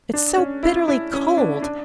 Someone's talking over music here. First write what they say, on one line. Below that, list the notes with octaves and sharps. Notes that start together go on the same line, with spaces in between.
It's so bitterly cold.
D4
C#4
E4
E4
C#4
D4
D4